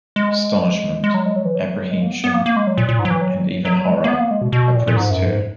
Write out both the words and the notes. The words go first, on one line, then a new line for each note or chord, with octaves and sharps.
Astonishment, apprehension, and even horror, oppressed her.
G#3
G#3
F#3
G#3
F#3
E3
F#3
G#3
A#3
B3
B3
A#3
A#3
G#3
F#3
A#2
A#2
G#2
F#3
E3
F#3
F#3
G#3
A#3
B3
A#3
G#3
B2
B2
A#2
A#2
G#2
F#2
G#2